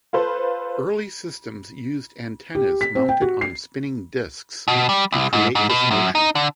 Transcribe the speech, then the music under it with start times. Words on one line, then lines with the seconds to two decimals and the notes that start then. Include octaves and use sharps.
Early systems used antennas mounted on spinning disks to create this motion.
0.13 F4 A4 B4 C5
2.55 G4
2.81 B6
2.95 C4
3.09 G5
3.22 F#4
3.41 C7
4.68 B2
4.89 G3
5.12 C2
5.33 G#2
5.55 G#2
5.69 B2
5.91 F#2
6.15 D#4
6.35 D3